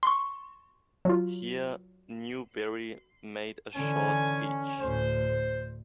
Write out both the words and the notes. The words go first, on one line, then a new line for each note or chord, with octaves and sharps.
Here Newbery made a short speech.
C6 C#6
F#3 F4
D3 E3 C#4 G#5
D2 A2 C5